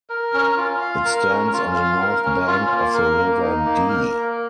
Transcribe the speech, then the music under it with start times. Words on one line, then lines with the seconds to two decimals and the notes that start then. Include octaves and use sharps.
It stands on the north bank of the River Dee.
0.10 A#4
0.33 C#4
0.57 F4
0.81 F5
1.05 A#4
1.29 C#4
1.53 F4
1.76 F5
2.00 A#4
2.24 C#4
2.47 F4
2.72 A#3
2.94 A#4
3.18 A#3
3.42 D#4
3.66 A#3
3.89 A#4
4.14 A#3